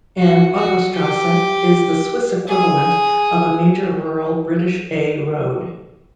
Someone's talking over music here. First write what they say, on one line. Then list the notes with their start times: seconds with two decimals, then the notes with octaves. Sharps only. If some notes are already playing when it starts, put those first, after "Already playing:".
An "Autostrasse" is the Swiss equivalent of a major rural British "A" road.
0.17 F#4
0.55 F#4
0.94 G4
2.47 G#4